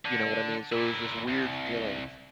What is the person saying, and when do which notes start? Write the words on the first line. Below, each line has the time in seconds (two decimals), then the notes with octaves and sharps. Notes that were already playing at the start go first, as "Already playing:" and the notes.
you know what I mean? So, it was this weird feeling,
0.05 D3
0.72 A#2 E4
1.28 C2